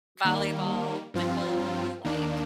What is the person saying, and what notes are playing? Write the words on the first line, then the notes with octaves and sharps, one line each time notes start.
volleyball my whole, like,
D#3 G3 A#3
G2 F3 C4 F4
D#2 D#3 A#3 D4